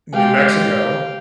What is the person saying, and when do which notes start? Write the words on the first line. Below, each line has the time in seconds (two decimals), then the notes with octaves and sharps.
New Mexico
0.13 G#3 G4 F5 G5 G#5